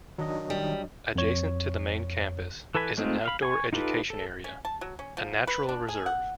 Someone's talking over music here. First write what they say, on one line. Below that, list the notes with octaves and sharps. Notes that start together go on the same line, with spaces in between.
Adjacent to the main campus is an outdoor education area, a natural reserve.
D#3 F#3 D4 D#5
G3
F2 C#5
E3 A4 B4 G#5 B5
G#3 A3 C4 D#4 F4
F5 B5
G#5 C#6
D#4 F4 G4 A4 B4
A4
C#4
A5
F#3
C#4
F3
B4
D4
G#4
F#5